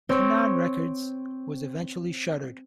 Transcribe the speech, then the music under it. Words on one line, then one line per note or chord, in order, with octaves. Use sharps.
Canaan Records was eventually shuttered.
C4 C#5